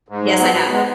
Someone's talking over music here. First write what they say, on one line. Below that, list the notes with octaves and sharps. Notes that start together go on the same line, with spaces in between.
Yes, I have.
G#2
F#3
B3
B3
G#3